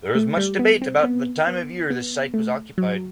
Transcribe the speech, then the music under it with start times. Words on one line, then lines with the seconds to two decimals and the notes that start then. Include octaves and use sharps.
There is much debate about the time of year the site was occupied.
0.15 A3
0.37 G3
0.59 B3
0.82 C4
1.03 B3
1.47 B3
1.90 B3
2.34 A3
2.78 F#3